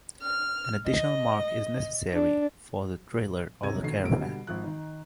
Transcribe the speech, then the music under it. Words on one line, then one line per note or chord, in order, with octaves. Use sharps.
An additional mark is necessary for the trailer or the caravan.
F6
D#5
D4
E1 C3 D#4 C#5 G#6 D#7
B2 D3 D#3 A4 C7
G#1 C3 A#3 D7
B2 D3 G3
G#1 F3 F#6
D#3 D#4